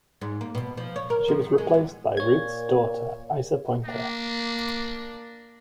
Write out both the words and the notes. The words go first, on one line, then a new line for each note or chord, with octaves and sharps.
She was replaced by Ruth's daughter Issa Pointer.
G#2
A#3
B2
F3
C#5
A#4
F3
D#3
G#3
E2
A#2 C#5 G#6
A#3 D4